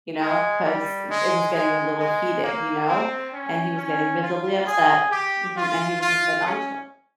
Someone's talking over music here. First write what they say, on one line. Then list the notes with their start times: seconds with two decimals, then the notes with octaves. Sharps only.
you know, 'cause it it was getting a little heated, you know, and he was getting visibly upset mhm, and he was just ,like, "Imma ta"
0.20 G#3
0.65 G3
1.10 G#3
1.54 G#3
1.99 G#3
2.43 A#3
2.88 C4
3.33 C#4
3.78 C#4
4.23 F4
4.67 G#4
5.11 G4
5.56 F4
6.01 F4
6.46 C#4